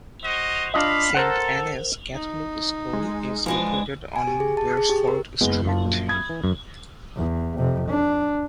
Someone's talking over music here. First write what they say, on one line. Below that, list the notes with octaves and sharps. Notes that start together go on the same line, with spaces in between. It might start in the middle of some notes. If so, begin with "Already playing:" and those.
Saint Annes Catholic School is located on Beresford Street.
F#4 C5 D#5
D4 F4 D#5 F5 B5
A4 A#4 C5 F#5
D#4
G#3
E3 F3 G#3 D4
G#5
G4
G#4
A5
G#4
G4
A#4
F#1 G#3 B3 B4 G7
F#2 F4 A5
A#1
B5 D#6 G#6
E3
F#2
E2
F2 C3
D4